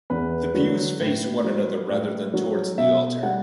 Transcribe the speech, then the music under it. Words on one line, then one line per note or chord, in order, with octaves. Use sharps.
The pews face one another rather than towards the altar.
E2 B4
D3 F#3
A2
F#3
A2
F#3
B2 E5
G3 F#5